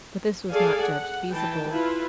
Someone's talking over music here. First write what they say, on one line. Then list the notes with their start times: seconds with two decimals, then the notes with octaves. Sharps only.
But this was not judged feasible.
0.51 G#4 A4 D5 F5 G#5
0.83 F#5
1.32 E3 G5 A5
1.70 E4 F4 B4